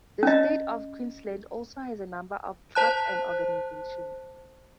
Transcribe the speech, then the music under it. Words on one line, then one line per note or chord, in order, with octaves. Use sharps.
The state of Queensland also has a number of clubs and organisations.
C#4 D#5
C5 A5 F#6